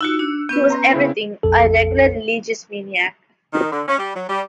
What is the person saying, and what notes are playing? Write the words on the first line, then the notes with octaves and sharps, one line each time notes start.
He was everything — a regular religious maniac.
D#4 F4 F#4 E6 F#6 C#7
D4
B3 C#4 B4 G6
A#5 C6
C#3 C4 E4
A#1 F2 A4
D#3
D3
C#4
G3
F#3
G3